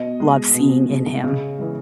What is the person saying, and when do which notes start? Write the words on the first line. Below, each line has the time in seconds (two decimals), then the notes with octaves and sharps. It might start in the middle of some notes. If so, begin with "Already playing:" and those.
love seeing in him.
Already playing: B2 D#5
0.20 G#3
0.54 B2
0.89 G#3
1.24 C#3
1.59 E3 G#3